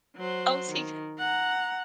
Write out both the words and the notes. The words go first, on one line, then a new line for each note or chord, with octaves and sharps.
Oh, is he
F#3 C5
D#3
F#5 A#5